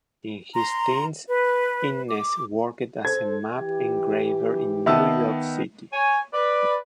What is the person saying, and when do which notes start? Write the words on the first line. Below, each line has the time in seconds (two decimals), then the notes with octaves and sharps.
In his teens, Inness worked as a map engraver in New York City.
0.55 A#5 C6
1.29 B4
2.08 D6
3.05 A4 C5 G#6
3.57 E3 G4
4.86 D#3 B3 E5 A5 E6
5.93 C#5 G#5
6.33 B4 D5